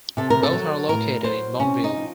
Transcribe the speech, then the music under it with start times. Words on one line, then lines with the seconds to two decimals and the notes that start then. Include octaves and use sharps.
Both are located in Boonville.
0.17 C3 A4
0.30 A#4
0.43 A4
0.53 F#3
0.88 A2 A#4
1.24 F#3 C5
1.60 C3 C#4
1.84 D#4
1.96 F3